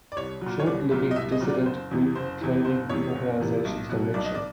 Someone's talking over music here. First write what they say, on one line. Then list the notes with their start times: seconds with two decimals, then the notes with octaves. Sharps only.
Short living dissident group claiming the organisation's direction.
0.12 D5
0.16 C2 C#5
0.41 A#2 F#3
0.60 C#5
0.66 C2 D5
0.91 A#2 F#3 E5
1.11 D#5
1.16 C2 E5
1.32 D#5
1.41 A#2 F#3
1.49 D5
1.65 F#1 C5
1.91 E2 C3 E3
2.15 F#1 C5
2.40 E2 C3 E3
2.65 F#1 C5
2.89 E2 C3 E3 C#5
3.15 F#1
3.39 E2 C3 E3
3.65 B1
3.89 B2 F#3
4.14 B1 D5
4.25 D#5
4.35 D5